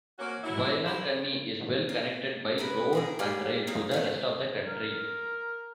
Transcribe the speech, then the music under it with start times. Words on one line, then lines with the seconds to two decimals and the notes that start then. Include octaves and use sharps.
Vailankanni is well connected by road and rail to the rest of the country.
0.19 A#3 C4 C#4 F#4
0.43 F#3 E4
0.85 E4 G4 C5
1.89 A#3
2.58 B3 A#4 B4
2.93 B2 G#4 A#4
3.19 G3 A#3 G#4 D5
3.67 A#3 C4 D#4
3.91 A3 B3 F5
4.66 A#4